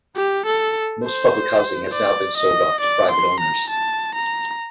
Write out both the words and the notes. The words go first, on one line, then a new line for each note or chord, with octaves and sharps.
Most public housing has now been sold off to private owners.
G4
A4
C5
D5
D#5
D5
C6
A#5
A5
A#5